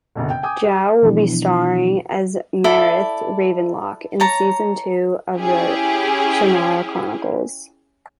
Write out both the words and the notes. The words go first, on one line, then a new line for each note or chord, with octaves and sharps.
Jow will be starring as Mareth Ravenlock in Season two of The Shannara Chronicles.
F#1 B2 D3
G5
G5 G#5 D6 D#6
G4
B2 E3 F3 B3 D4 E4
E4 A4 D5 E5
C#5 A5 A#5
C#4 E4 G4 G#4